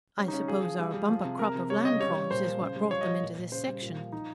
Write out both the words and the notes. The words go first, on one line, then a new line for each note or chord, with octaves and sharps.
"I suppose our bumper crop of land-prawns is what brought them into this section?"
G3 C#4
D#4
C#3 C#4
F3 G#4
F3
G3
G3
F3
C3
C3 A#4
C3
G3 C#5
C#3 D#5
G3 C#5
G3
A#2 C5
F3
C#3
G3
F3 C#5
D#5
F3
A#2
A#2
C#3 C5
G3
A#2 F4
F3
F3 D#4